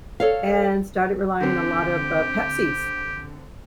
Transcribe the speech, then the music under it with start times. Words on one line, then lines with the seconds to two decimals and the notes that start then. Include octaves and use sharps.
And started relying a lot of, uh, Pepsi's,
0.20 A4 C#5 F5
1.41 D3 C4 G4